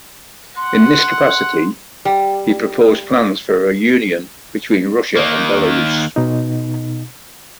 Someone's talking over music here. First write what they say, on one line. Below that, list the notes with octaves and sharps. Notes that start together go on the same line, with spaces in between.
In this capacity, he proposed plans for a union between Russia and Belarus.
F#5 C6
G3
D#3 A#3
B2 D#4